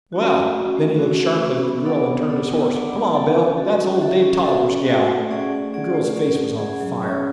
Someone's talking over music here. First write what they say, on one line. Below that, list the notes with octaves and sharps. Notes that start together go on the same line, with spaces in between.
"Well"--then he looked sharply at the girl and turned his horse--"Come on, Bill--that's ole Dave Tolliver's gal." The girl's face was on fire.
C#4 F#4
A3
C#4 F#4
A3
C#4 F#4
A3
C#4 F#4
B3
D4 A4 D5 F#5
B3
D4 A4 D5 F#5
B3
D4 A4 D5 F#5
B3
D4 A4 D5 F#5
C#4
F#4 A4 E5
C#4
F#4 A4 E5
C#4
F#4 A4 E5
C#4
F#4 A4 E5
A3
C#4 G#4 D5 F#5
A3
C#4 G#4 D5 F#5
A3
C#4 G#4 D5 F#5
A3
C#4 G#4 D5 F#5
F#3
C#4 G#4 C#5 E5